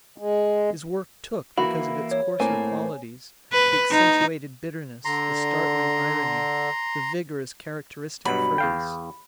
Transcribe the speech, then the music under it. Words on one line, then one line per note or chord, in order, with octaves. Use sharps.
His work "took" because of its coarser qualities, the accentuated bitterness, the startling irony, the vigorous, characteristic phrase.
G#3
E3 A#3 E4 F#4 B5
C#5
A2 A#3 C4 G#5
B4
D#4
D3 A#5 C6
G2 B2 F#3 B5
E2 F5 G5